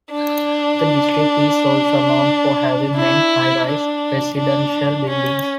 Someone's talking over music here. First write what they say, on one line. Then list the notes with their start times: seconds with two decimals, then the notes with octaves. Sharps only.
The district is also known for having many high-rise residential buildings.
0.11 D4
2.96 E4
3.68 D4
4.38 D4
5.09 C#4